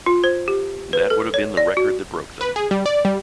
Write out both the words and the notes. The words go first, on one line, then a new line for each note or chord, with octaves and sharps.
That would have been the record that broke them.
F4
C5
G4
B4
A4
C#5
D5
F#4
B4
G#4
G3
D5
G3